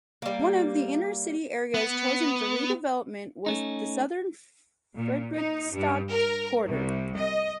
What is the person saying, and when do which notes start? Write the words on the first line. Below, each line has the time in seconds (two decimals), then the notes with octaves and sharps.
One of the inner city areas chosen for redevelopment was the southern Friedrichstadt quarter.
0.22 G3 A#3
1.74 B3
3.46 A3 C#4 D#4
4.95 A#2
5.34 D#4
5.73 G2
6.10 A#4
6.66 C2
7.16 D#5